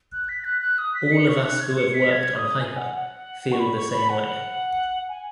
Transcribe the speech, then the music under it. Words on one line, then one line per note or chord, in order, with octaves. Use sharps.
All of us who have worked on Hyper feel the same way.
F#6
B6
F#6
F#6
D#6
B6
C#7
C#6
F#6
G#6
C#7
B6
G#6
D#6
G#5
F#5
F#5
C#6
B5
C#6
B5
F#5
G#5